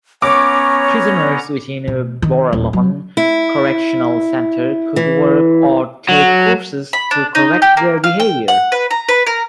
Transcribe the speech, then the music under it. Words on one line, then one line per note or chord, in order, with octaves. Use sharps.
Prisoners within Borallon Correctional Centre could work or take courses to correct their behavior.
B3 C#4 C#5 A#5 D6
B2
D#3
D#1
F#3
E4
E3
F#3
B5
D4
D#4
G4
A#3
F5
G5
F#5
B4
A#5
B4
A#4